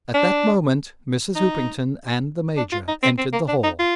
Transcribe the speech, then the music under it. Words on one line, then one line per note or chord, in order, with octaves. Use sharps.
At that moment Mrs. Hoopington and the Major entered the hall.
D4
D#4
D4
F4
D#4
C4
C4
A#3
D4
D#4
F4